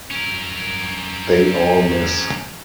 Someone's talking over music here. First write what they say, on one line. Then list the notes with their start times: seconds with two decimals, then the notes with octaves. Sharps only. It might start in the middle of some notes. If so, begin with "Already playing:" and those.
They all miss.
0.11 C#4 A#4